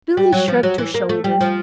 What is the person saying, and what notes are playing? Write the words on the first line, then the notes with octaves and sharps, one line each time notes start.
Billy shrugged her shoulders.
G3
F#3
F3
F#3
E3
A#3
A3
G3
F3